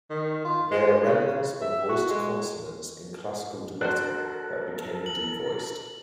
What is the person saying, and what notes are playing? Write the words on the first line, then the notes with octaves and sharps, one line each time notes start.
They are remnants of voiced consonants in Classical Tibetan that became devoiced.
D#3
F4
G#3
C#3
E5
F#4
G#3
D4 F#4 A4 A#4 C5 F#6
F#7